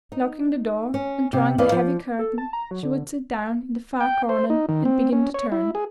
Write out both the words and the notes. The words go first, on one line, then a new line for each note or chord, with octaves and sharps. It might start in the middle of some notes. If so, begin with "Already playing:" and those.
Locking the door and drawing the heavy curtain, she would sit down in the far corner and begin to turn.
D#4
C#4
C3
E2 A#3 B4 D5 D#5 F5
F3
A4
A5
A#5
F#3
D3
G5
C5
D#4
D#3
C4
C#4
C#5
E4
G#4